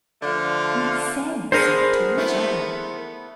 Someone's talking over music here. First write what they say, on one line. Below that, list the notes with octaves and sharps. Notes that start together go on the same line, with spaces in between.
We said so to each other.
D3 F3 A3 F5
B3 D4 G#4 A#4 C5
A3 B3 E4